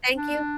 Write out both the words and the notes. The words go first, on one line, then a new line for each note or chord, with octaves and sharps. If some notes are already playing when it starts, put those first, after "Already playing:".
thank you
D4